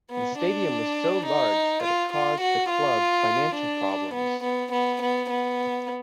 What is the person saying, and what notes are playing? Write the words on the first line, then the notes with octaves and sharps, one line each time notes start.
The stadium was so large that it caused the club financial problems.
B3
D4
D#4
F4
F4
F#4
F4
D4
B3
B3
B3
B3
B3